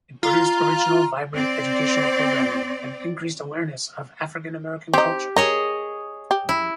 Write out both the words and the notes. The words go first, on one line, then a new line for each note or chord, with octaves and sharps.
It produced original, vibrant, educational programming and increased awareness of African-American culture.
F4 A#5
C4 D5
C4 D#4 G4
G#4 A#4 C#5 D#5
G4
E4